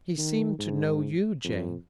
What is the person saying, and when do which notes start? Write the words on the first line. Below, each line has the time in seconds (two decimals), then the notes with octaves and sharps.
He seemed to know you, Jane.
0.18 D#3
0.59 G#2
1.44 F2